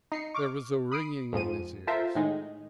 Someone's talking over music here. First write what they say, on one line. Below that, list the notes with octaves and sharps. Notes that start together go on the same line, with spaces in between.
There was a ringing in his ears.
D#4 C7 C#7
C#6 D6 F6
B5 D#6 C7 D7
F2 G#2 F3 D#7
F4 A4 A#4 C5 E5
A2 D#3 G#3 D#4